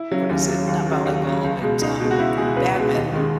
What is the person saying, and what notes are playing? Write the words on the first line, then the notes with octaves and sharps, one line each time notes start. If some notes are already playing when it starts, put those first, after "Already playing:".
what is it? Not volleyball, but, um, badminton,
Already playing: E4
C#3 F#3
D#2 C#4
C#3 F#3
D#2
C#3 F#3
D#2
C#3 F#3
C#2
B2 G#3
C#2 D#4
B2 G#3
F#4
C#2 E4
B2 G#3 G#4
C#2 B4
B2 G#3
D#2 D#5
D#3 G#3